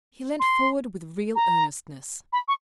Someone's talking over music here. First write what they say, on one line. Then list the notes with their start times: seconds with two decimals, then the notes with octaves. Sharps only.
He leant forward, with real earnestness.
0.40 C6
1.36 A#5
2.33 B5
2.48 C#6